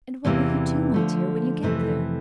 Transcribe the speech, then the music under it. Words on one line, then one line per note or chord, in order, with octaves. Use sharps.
And what will you do, my dear, when you get there?'
E2 C3 E3 G3 A#3
D3 F3 A3
F2 C3 E3 A3